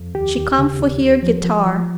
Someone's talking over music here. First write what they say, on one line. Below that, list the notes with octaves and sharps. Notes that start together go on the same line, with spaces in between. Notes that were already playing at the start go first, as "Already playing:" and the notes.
She come for hear guitar.
Already playing: F2
D#2 G4
D#2
C#3
D#2
D#2
F3
F3
F3